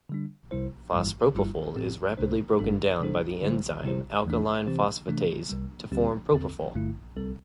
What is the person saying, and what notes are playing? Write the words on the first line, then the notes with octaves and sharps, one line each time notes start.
Fospropofol is rapidly broken down by the enzyme alkaline phosphatase to form propofol.
D3 G3 D4
C2 C3 G3 E4 C5
G1 G2 E3 G3 E4
G1 G2 G3 E4
A2 E3 C4 G4
C2 C3 A3 D4 C5
G1 G2 G3 D4 A4
C3 G3 D4 A4 C5
D3 G3 E4 C5
C3 G3 E4 G4 C5
E2 E3 A3 D4
C3 E3 C4 G4 C5
C3 E3 A3 D4
C2 C3 G3
D2 D3 G3 C4 G4
E2 D3 C4 A4
G1 G2 D3 A3 E4
C2 C3 G3 C4 A4